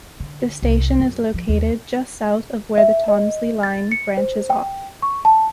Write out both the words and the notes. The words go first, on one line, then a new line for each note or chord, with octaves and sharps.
The station is located just south of where the Tonsley line branches off.
D3
C2
F#2
F3
D#2 D#3
E5
D#5
A6
C#7
C5
G5
C#6
A5